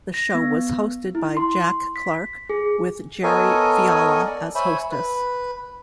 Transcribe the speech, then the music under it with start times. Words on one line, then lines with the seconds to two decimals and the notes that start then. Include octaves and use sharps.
The show was hosted by Jack Clark, with Jerri Fiala as hostess.
0.14 A#6
0.34 B3
1.15 E4
1.37 C6
1.96 B6
2.49 G#4
3.24 B3 A4 A#4 C#5 D#5 G#5
4.25 D5
4.55 C5 C#5 E5 G#5 B5
4.91 B4